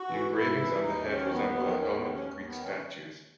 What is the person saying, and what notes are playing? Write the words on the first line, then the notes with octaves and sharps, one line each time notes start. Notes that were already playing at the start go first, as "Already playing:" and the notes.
The engravings on the head resemble a helmet of Greek statues.
Already playing: F#4
E3
G#2 E4
E3
D#2 D#4
D#3 C#4
D#2 B3
D#3
D#2 C#4
B3
D#2
C#4
D#2
B3
D#3
C#4